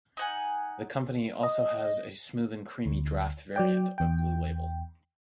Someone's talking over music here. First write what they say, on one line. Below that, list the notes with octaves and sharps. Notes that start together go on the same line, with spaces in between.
The company also has a "Smooth 'n' Creamy" draught variant of Blue Label.
D#4 F#5 G#5
D#5
D2
F#3 D5 G5
E2 G5